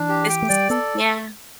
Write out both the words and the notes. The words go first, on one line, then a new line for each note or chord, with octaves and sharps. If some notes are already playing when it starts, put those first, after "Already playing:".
this is Yeah,
Already playing: E3 D4
G4
G5
A3
G3 D5
B3 A4